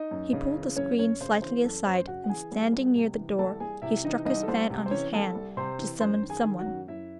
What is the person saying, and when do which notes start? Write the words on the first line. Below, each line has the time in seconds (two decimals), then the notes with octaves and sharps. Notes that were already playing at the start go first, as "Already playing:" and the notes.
He pulled the screen slightly aside, and standing near the door, he struck his fan on his hand, to summon some one.
Already playing: D#4 D#5
0.11 F#2
0.33 C#3
0.55 E3
0.76 F#2 C#4 C#5
0.98 F#2 C#4 C#5
1.21 C#3 C5
1.42 E3 C5
1.64 F#2 A4
1.86 F#2 C5
2.07 C#3 F#4 F#5
2.24 F#5
2.29 E3 G#4 G#5
2.52 C2
2.73 C2
2.95 C3
3.17 E3
3.39 C2 A4 A5
3.60 C2 G#4 G#5
3.82 C3 E4 E5
4.04 E3 D#4 D#5
4.25 C2 D#4 D#5
4.43 A4
4.48 C2 C5
4.70 C3
4.86 C5
4.91 E3 C#4 C#5
5.13 C2 A4 A5
5.35 C2
5.57 C3 C5 C6
5.79 E3
6.00 F#2 C5 C6
6.22 D#3
6.30 G#4 G#5
6.44 D#3
6.59 F#4 F#5
6.66 F#2
6.88 F#2 E4 E5